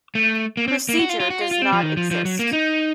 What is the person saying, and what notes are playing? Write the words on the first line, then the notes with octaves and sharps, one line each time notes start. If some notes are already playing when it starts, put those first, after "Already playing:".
Procedure does not exist.
A3
A#3
C4
A#3
F#4
F4
F4
F#4
F4
F4
C4
F3
D#3
F3
F3
F#3
A#3
D#4